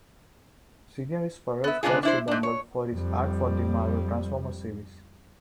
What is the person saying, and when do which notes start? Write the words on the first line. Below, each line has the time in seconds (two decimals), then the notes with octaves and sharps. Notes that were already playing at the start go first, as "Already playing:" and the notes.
Senior is perhaps best remembered for his art for the Marvel "Transformers" series.
1.64 B3 E5
1.83 D3 G#3 B3 D4 F4 G#4
2.03 D4 E4 C5
2.28 G#2 D4
2.43 C#5
2.93 F2 G3